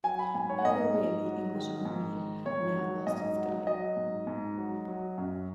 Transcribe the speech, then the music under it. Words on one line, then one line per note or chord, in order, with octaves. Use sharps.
Either way, the English army had now lost its guide.
F#3 G#5
B5
G#2 G#5
C#5
F#5
G#2 D#5
G#2
F#3
D#3
G#2
D#3
G#2 C#5
F#3
G#2 D#5
F#3
F#3 D#5
G#2
G#2
F#3
F#3
F#2